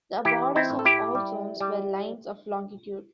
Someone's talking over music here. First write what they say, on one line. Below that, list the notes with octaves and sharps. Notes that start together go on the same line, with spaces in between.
The borders of all zones were lines of longitude.
E3 E4 G4
C4 E4
A2
A4
E4 G4
G3
G3